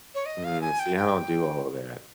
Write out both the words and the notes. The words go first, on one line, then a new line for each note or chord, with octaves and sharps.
Mm, see, I don't do all of that.
C#5
D#5
F5
G#5
G5
G5